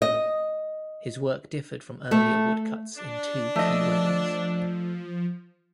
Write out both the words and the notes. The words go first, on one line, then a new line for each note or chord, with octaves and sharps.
His work differed from earlier woodcuts in two key ways.
D#5
A3
D4
F3 A3 D#5